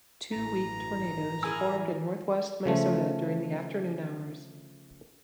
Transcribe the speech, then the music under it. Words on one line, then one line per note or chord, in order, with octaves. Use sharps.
Two weak tornadoes formed in northwest Minnesota during the afternoon hours.
A1 G2 E3 A#5
E3 E4 G#4 A#4 G#5 E6
C#3 F3 A3